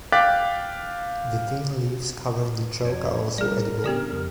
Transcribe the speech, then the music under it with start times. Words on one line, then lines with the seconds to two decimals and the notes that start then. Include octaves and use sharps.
The thin leaves covering the choke are also edible.
0.12 F5 G5 D6 F#6 A6 B6
2.84 F2 C#5
3.38 G3 G#4 A#4 D5
3.84 C#3 B3 D4 G4 D5
4.12 F2